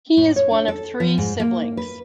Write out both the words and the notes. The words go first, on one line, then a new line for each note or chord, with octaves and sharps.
He is one of three siblings.
A2
C#5
D4
A4
F3
G#2
A#3
B4